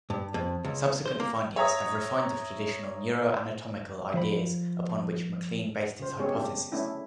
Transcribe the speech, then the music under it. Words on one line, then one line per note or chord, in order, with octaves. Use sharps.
Subsequent findings have refined the traditional neuroanatomical ideas upon which MacLean based his hypothesis.
G2
F2
C#2
C5
A#3
C#5 E5 A#5 D#6
F3 C5 B5
C#3 C5
G#3 B3 C#4 G4 G#4 C#5
D4 G4
A3 C#4 D4 E4